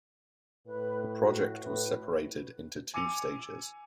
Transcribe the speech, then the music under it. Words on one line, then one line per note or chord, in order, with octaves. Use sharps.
The project was separated into two stages.
A2 B4
F#4
A2 B4
G#5 D6 E6 C#7 D#7 F7